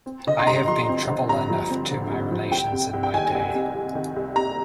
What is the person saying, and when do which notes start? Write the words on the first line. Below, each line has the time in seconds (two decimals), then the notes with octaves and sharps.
I have been trouble enough to my relations in my day.
0.06 C4
0.27 D3 D#5
0.39 C6
0.47 G2 A#5
0.68 F3 C6
0.89 C4
1.09 D3
1.29 G2 A#5
1.50 F3
1.70 C4
1.91 D3
2.12 G2
2.32 F3
2.52 C2 G5
2.73 C3
2.93 C2
3.03 G5
3.14 D#3 G#5
3.35 C2
3.55 C3
3.75 C2
3.95 D#3
4.16 C2
4.36 C3 A#5